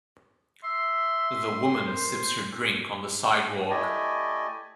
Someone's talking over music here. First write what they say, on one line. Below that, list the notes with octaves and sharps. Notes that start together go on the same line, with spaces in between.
The woman sips her drink on the sidewalk.
E5 C6
A#4 C5
A3 E4 G4 D5 D#5 G#5